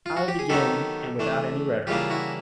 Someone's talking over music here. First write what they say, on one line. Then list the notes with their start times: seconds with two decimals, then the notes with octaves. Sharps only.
"I begin, and without any rhetoric."
0.06 F4
0.17 F#4
0.28 G4
0.39 G#4
0.49 D#3 F#3 B3 D#4 G4 A4
1.19 E3 A3 D4
1.87 C#3 E3 G3 A#3 D4 F4 G4
2.10 E4 F#4